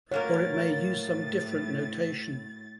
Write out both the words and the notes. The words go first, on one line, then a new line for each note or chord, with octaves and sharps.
Or it may use some different notation.
A2 F#3 A#3 A#4 C#5 A6